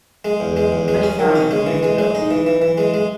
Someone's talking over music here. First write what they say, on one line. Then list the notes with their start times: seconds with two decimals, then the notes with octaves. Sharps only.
Mainly families have moved to Bellevue.
0.25 G#3
0.40 E2
0.57 G#3
0.72 E2
0.88 G#3
1.03 C#4
1.19 D#3
1.35 C#4
1.51 G#3
1.67 E3
1.83 G#3
1.98 G#3
2.15 D#4
2.31 E3
2.47 E3
2.62 E3
2.78 G#3
2.94 G#3